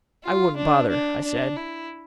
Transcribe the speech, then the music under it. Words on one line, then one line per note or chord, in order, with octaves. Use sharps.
"I wouldn't bother," I said.
F4
D4
D4
D4
E4